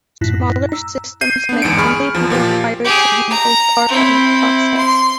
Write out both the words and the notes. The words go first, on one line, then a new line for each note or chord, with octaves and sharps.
Smaller systems may only be required to handle part of the process.
F#2 A2 E4 F#6 A#6 B6
A#5 E6
G6 C7 D#7
B3 D4
G1 E2 G#2 C#7 D7
G#4 B5 C#6 F6
E2 F3
A#2 F3 F4 G4
G4 G#4
A#5
C4 E4
C6